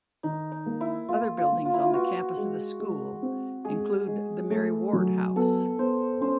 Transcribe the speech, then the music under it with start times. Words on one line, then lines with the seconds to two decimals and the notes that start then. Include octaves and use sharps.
Other buildings on the campus of the school include the Mary Ward House.
0.23 D#3 D#4
0.52 D#4
0.66 A#3
0.81 E4
1.09 A#3 F4
1.38 F4
1.51 A#3
1.65 F4
1.74 E4
1.82 F4
1.94 F#4 B4
2.37 G#3
2.80 G#3
3.22 C4
3.65 G#3 G#4
4.08 G#3
4.50 A3
4.93 F#3
5.36 B3 A4
5.78 B3 C5
6.21 C#4 C5